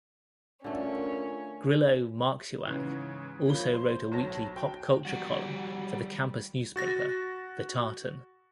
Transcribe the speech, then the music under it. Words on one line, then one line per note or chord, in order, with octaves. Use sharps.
Grillo-Marxuach also wrote a weekly pop-culture column for the campus newspaper, The Tartan.
D3 A3 C#4 F4 A#4
G#2 C#3 E3
F3 A#3 C#5 B5 G7
C5
B1 C#5 A5 A#6
G5
G3 F#4
F#4 A6 A#6